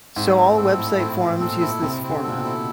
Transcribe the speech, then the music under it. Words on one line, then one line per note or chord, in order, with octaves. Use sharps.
So all website forums will use this format.
G#2 C4
C4
G#2
A2 A4
E4
A2 C4
C4
A#2 A4
E4
C3 C4
C4
D3
A#2 A4
B2
E4